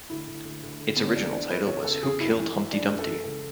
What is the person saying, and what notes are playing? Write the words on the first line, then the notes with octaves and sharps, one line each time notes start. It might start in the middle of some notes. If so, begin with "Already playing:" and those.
Its original title was Who Killed Humpty Dumpty?
D2 E4
D2
D2
D2
D3
D2 B3
C#4
E2 D4
E3 D4
E2 B4
E2 C#5
C#3 A4
E2 G#4
F#2 E4
E3
E3
E3 D4
F#2
A4
E3
C#2 A4